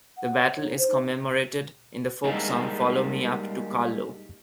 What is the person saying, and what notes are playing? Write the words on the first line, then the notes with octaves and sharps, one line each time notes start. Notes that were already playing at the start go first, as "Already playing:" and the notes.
The battle is commemorated in the folk song "Follow me up to Carlow".
F#5
C#5
D#4
C5
G3 G#3 A#3 D#4